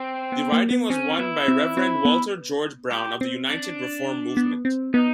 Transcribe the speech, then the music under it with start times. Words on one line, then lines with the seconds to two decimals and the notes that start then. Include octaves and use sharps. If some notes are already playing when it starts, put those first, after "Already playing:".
The riding was won by Reverend Walter George Brown of the United Reform Movement.
Already playing: C4
0.32 B3
0.52 A#3
0.71 B3
0.90 C4 C#4
1.13 F4
1.19 B3 E4
1.48 C4
1.77 C4
2.05 B3
2.92 G4
3.21 C4
3.49 D4
4.37 B3
4.65 C4
4.94 B3 D#4